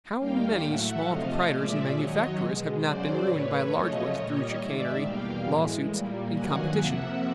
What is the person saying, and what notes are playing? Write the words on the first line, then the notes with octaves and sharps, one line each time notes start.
How many small proprietors and manufacturers have not been ruined by large ones through chicanery, law-suits, and competition?
D#2 D#3 G3 A#3 F5 G5
A2 F#3 A3 E5 F#5
C3 F3 A3 D#5 F5
A#2 F3 G#3 D5 E5
F#2 D#3 F#3 C#5 D#5
B2 G#3
F#2 C#3 F#3 C5 D5
A2 E3 A3 B4 C#5
F#2 C#3 F3 A3 C#5 D#5
A#2 G3 A#3 C#5 D#5
G#2 D#3 G#3 D5 E5
E2 B2 G3 A#3 F5 G5
A2 E3 G#3
A#2 G3 A#3
G2 D#3 F#3 A#3 F#5 G#5
F2 C3 F3 A#3 E5 F#5